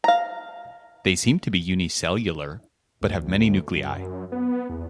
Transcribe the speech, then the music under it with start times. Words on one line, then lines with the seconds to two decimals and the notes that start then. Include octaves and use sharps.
They seem to be unicellular, but have many nuclei.
0.04 F5 A#5
3.01 D2
3.75 F#2
4.32 B3
4.69 E2